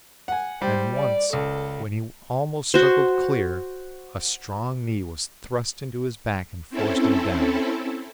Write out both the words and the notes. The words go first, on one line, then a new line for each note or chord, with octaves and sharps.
And once when he almost struggled clear, a strong knee was thrust into his back and forced him down.
F#5 G#5
G3 C5
D5
C#2 A4
F#4 C5
C4 C#4 E4 A4